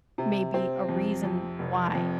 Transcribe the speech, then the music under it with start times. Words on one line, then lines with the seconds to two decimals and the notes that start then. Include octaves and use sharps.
maybe a reason why,
0.18 C3
0.54 C4
0.89 F2
1.23 F2
1.59 F1
1.95 F2